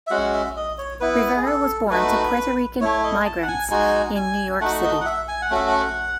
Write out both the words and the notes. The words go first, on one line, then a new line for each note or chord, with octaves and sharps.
Rivera was born to Puerto Rican migrants in New York City.
E5
G#3 C#4 F#4 F#5
E5
D#5
C#5
B3 E4 B4
G#4
A4
A3 D#4 F#4 B4
A3 E4 C#5
D#5
A5
F#5
G#5
G#3 D#4 F#4 G#5
G#5
A3 D#4 F#4 F#5
D#5
F#5
E5
G#5
F#5
A3 C#4 F#4 E5
F#5